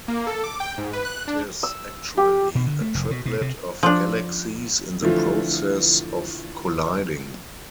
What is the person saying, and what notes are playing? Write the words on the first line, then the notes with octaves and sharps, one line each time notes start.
It is actually a triplet of galaxies in the process of colliding.
A#3
A4
D6
G5
G#2
B4
F#6
D4
E6
G4
B2
D3
A3
F1
B2
B2
C3
F3 D4
D3 E3 F3 A3 F4